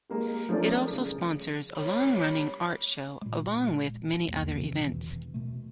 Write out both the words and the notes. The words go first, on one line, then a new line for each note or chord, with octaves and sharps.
It also sponsors a long-running art show along with many other events.
G#3 A#3 G4
F3 A3 C#4 A#4 D5
C#3
G3 A#3 C#5
A#2 G#3
B1 E2 B2 A#3
C3 D#3 E3 C#4
E1 F2 B2 E3
B2 A3